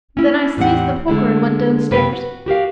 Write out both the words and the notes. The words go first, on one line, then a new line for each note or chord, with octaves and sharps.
Then I seized the poker and went downstairs.
C#4 E4
E2 A2 G3 C4 F#5
D3 G#3 A3 E4
F#2 C3 A#3 B4
F#4
F#4 G4 A#4 F5